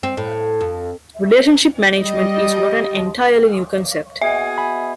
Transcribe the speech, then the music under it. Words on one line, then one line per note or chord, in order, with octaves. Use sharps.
Relationship management is not an entirely new concept.
C4
A2
F2
G3 D#5
B2 G#4 E5
G#5 B5